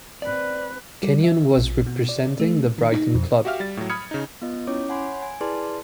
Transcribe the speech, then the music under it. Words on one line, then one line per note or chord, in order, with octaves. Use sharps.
Kennion was representing the Brighton club.
C4 B4 D5
G3
E5
A#1
B2
D5
A3
D#3
D#4
F2
F#4 G4 E5 F5 F6
G3 A6
A2 F#3
B5 D#6 F6 G#6 C#7
C#3 D#4
B3 F4 D#5
C#4 E4 C#5 D6
C#5 F#5 G#5 B5 C6
G#5
E4 G#4 B4 D5 A5 C6